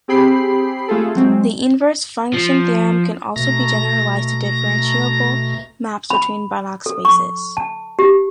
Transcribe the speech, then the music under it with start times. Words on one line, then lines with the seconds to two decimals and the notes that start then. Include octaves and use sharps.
The inverse function theorem can also be generalized to differentiable maps between Banach spaces.
0.08 C4 G4 G#4 G5 B5 C7
0.88 A3 F4 G#4 A4
1.15 F#3 G#3 C4
2.34 F3
3.36 B2 A3 A#5 A#6
6.10 B5
6.86 A4
7.05 C#6
7.57 A5
7.99 G4